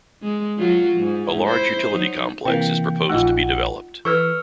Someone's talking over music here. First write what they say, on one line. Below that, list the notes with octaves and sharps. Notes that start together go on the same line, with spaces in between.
A large utility complex is proposed to be developed.
G#3
F#3 F4 F#4
G#2
E4 C5
F#3 D#4
C3 E3 A#3 G5
A#1 A3 D#4 F4 F#5
E3 A4 B4 C#6 E6 F6